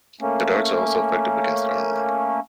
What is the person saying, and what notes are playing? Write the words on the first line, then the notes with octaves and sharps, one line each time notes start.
The darts are also effective against armour.
A3 A#3 C#4